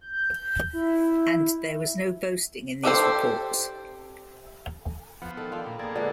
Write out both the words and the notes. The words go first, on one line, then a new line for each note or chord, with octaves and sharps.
And there was no boasting in these reports.
G6
E4
D4 G4 A4 C5
F3 B3 F#5
D#3 A4
C4 D4 F4
A#2 B5
A#3 G#4 A4 D5 F5
D3 G#3 B3 F4 B4 D5